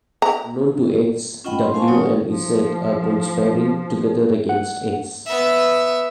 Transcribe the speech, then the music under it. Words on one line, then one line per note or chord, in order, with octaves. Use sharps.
Unknown to X, W and Z are conspiring together against X.
A#5
C#4 F4 D#5 F#5 G5 B5
C6
C5 F5 G#5 A5 C6 C#6
F#3 F4 A#4 C#5 F#5 D#6
F3
F#5
B3 E5